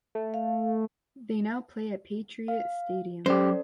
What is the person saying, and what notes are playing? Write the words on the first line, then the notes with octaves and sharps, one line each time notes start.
They now play at Patriot Stadium.
A3
F5
F5
F#2 C#4 G4 A4 C5 D5